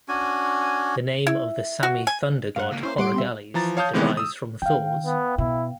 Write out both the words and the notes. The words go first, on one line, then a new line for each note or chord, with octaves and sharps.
The name of the Sami thunder god Horagalles derives from Thor's.
C#4 D4 F#4 G#5
E4
F#4
G#5
G2 F5 F#5
C#2 A#3
A#3 C#4 E4 C5
G3 F#5 C6 D6 D7
B3 C4 E5
E3 F3 A#5 A6
C#5 F5 A5 D#6 G6
A2 C3 D#3 E3 G#3 B3
D#6 E6
D#3 F5 G5
B3
B2 E4